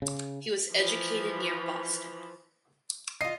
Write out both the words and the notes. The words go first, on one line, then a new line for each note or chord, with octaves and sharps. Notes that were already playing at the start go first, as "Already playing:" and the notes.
He was educated near Boston.
C#3
E3 F3
F4 D#5 C7